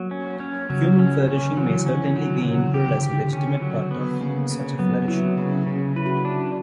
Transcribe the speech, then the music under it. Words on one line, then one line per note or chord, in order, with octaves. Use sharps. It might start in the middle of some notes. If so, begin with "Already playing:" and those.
Human flourishing may certainly be included as a legitimate part of such a flourishing.
Already playing: F#3 A#3
C#4
C#4
C#3 F#3
C#4
D3 C#4
E3 F#3
D3 C#4
F#3
C#3 F#3
C#3
C#3 G4
D3
D3 G4
C#4
F#3
B3
C#3 A#3
C#3
F#3 B3
F#3 E4
C#3 C#4
C#3
E4 B4
F#4
E4
D4